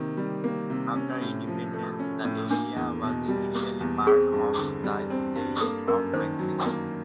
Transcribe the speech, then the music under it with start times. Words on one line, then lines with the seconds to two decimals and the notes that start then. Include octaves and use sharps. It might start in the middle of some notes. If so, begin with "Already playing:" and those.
After Independence, the area was initially part of the State of Mexico.
Already playing: C3 D#3 A#3
0.17 G3
0.44 A#3
0.70 C3
0.96 C#4
1.21 A2
1.47 F3
1.73 A3
1.99 C#4
2.25 A2
2.51 A#3 D4
2.76 E2
3.03 B2
3.28 G3
3.54 A#3
3.81 E2
4.06 C4 G#4
4.32 G2
4.59 D3
4.84 G3
5.10 C4
5.36 G2
5.61 A#3 A4
5.87 F#2 A#4
6.13 D#3 C5
6.39 F#3
6.66 A#3